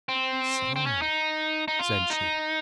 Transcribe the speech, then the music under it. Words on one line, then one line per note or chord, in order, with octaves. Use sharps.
"So!" said she.
C4
C4
C#4
D#4
D#4
F4
D#4